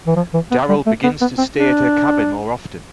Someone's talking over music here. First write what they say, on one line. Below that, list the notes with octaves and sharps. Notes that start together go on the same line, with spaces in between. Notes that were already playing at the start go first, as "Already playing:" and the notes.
Daryl begins to stay at her cabin more often.
E3
F3
E3
B3
G3
A3
B3
B3
C4
D4